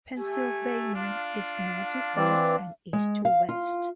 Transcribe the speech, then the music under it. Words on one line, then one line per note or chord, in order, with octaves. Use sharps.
Pennsylvania is north to south and east to west.
A3 G4 G#5
D4 F4 F5
E3 C4 D5
G#3
F5
F4